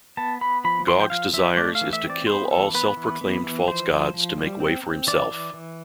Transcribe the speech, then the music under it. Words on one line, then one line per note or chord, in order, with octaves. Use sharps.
Gog's desires is to kill all self-proclaimed false gods to make way for himself.
B3 A5
B3 B5
F3 B5
F3 C6
G5
F3 F5
F3 E5
A3 D5
F5
E3
E5
C4
D5
B3 C5
E3 A4
B3 B4
E3
B3
E3
F3 C5
F3
F3
G3
C4
C4
E3 D5
E3
E3